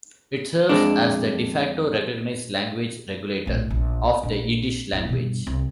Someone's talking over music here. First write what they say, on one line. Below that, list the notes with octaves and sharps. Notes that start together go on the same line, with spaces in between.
It serves as the "de facto" recognized language regulator of the Yiddish language.
F2 G#3 D4
A#1 A2
A#1
A#1 D4
D1 E4
G2 B2
C2